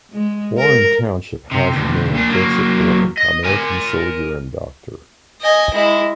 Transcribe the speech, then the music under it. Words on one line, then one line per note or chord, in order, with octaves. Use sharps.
Warren Township has the name of Joseph Warren, American soldier and doctor.
G#3
A#4
C3
D2 G2
A#2 D4
F#3 A#3
D#5
A#4 G#5
D#5 G#5
G#3 E4